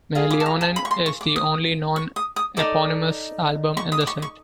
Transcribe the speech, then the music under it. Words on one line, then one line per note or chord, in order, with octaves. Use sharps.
"Meillionen" is the only non-eponymous album in the set.
F4 G#4
D6
A5
A#5
A5
B5
C#6
C6
C#6
D6
D#6
C#6
D#6
D#6
D#4 F#4 A4 D5 D6
C#6
D#6
D6
C#6
C#6